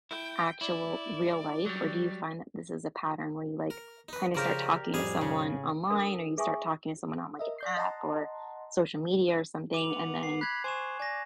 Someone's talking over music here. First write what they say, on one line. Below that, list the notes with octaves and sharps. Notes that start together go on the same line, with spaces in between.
actual real life, or do you find that this is a pattern where you, like, kinda start talking to someone online or you start talking to someone on, like, an app or social media or something, and then
E4 G5
E4 D5
F#3 G3
A#4
D#4 B4
C#3 F3 G4 A#4 D5
F2 A2 G3 G#4 F5
C#3
D4 A4 A#4 F5
G#4 E5 F5 G#5 C#6 D#6
A#4 D#5 E5
D5 G6 C7
D#5 F#5 A5 A#5 C6
D6 F7 F#7
B3
C7
B5 F#6 G#6
C5 G#5 C#6 E7
D5 G#5 A#6